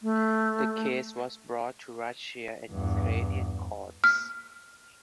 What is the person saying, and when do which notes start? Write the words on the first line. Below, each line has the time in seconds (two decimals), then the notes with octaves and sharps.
The case was brought to Russian and Ukrainian courts.
0.01 A3
2.71 E2 G2
4.04 F6